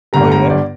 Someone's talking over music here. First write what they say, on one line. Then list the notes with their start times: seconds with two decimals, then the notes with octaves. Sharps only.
Oh, yeah?
0.13 G1 G2 D3 G3 A#5
0.32 A#5
0.50 D5